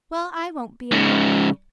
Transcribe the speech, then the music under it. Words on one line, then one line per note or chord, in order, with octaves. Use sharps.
Well, I won't be in your way.
G#2 C#3